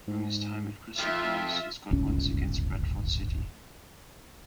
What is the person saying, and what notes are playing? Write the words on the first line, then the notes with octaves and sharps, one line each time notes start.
During his time at Crystal Palace, he scored once against Bradford City.
G#2
F2 F4 E5
D1 G1 C#2 C#4